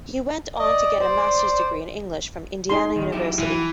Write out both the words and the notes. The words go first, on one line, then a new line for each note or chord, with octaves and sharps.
He went on to get a master's degree in English from Indiana University.
D5 D#5
C5
D#4 G#4 C6
E2 D#3
F#3 E4 G4
E3